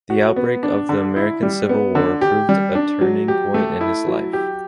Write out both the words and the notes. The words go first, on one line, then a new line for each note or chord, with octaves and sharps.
The outbreak of the American Civil War proved a turning point in his life.
F#4
B3
D4
D3
E4
G3
B3
D3
G4
G3
D4
F#3
G4
A3
E4
F#3
G4